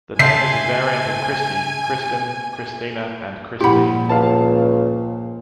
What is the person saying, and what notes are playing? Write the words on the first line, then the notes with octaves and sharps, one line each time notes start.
The name is a variant of Kristi, Kristin, Kristina, and Kristine.
C#3 A3 C5 E5 G#5 C7
A#2 F3 E4 G4 F#5 B5
C#2 F5 A5